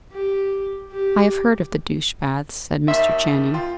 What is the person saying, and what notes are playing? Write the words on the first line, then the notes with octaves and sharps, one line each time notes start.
"I have heard of the douche baths," said Mr. Channing.
G4
G4
D#2 D#3 E5 C6
F4 G5 C6